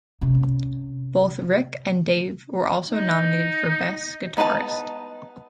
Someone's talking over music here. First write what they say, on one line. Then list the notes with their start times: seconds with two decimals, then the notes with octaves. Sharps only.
Both Rik and Dave were also nominated for "Best Guitarist".
0.21 C3 C#4
2.90 D#4
4.37 B3 D#4 B4 C5 A5